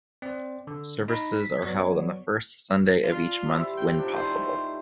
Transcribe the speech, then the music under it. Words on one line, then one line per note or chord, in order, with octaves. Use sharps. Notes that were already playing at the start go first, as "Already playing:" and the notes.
Services are held on the first Sunday of each month when possible.
C4 D5
D3
D#4 B5 A#6
B6
F#3 B3 C#5 D5
D4 F4
E4 G4 C5
G5
D#3 F3 D4
D#3 E3 A3 C5